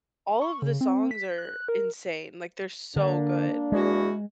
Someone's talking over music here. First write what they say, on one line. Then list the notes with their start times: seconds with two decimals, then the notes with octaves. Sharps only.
all of the songs are insane, like, they're so good.
0.41 C#6
0.62 C#3
0.81 C4
1.11 B6
1.38 F#6
1.68 A#4
2.96 D3 A#3 D4
3.72 E2 G#3 F#4